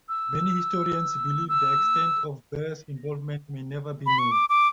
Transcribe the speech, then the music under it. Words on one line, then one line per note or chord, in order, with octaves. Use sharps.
Many historians believe the extent of Burr's involvement may never be known.
E6
E6
B5
C#6
D6
D6